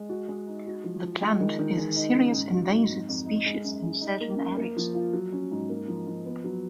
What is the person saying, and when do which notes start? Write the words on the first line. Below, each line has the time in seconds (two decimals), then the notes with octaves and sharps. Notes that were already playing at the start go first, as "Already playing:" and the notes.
The plant is a serious invasive species in certain areas.
Already playing: G#3
0.09 F#4
0.29 G#3
0.47 D#4
0.66 F#4
0.84 F3
1.03 F3
1.22 G#3
1.40 D#3
1.59 D#3
1.78 G#3
1.96 D#4
2.15 C#3
2.34 G#2
2.53 F#3
2.72 G#2
2.90 F2
3.09 F2
3.26 D#4
3.46 G#3
3.64 F#2
3.83 G#3
4.01 D#4
4.21 A#3
4.39 F#2
4.57 A#3
4.77 F3
4.95 F4
5.13 F#3
5.32 C#4
5.51 G#2
5.69 A#3
5.88 F3
6.07 F3
6.26 B3
6.44 F#3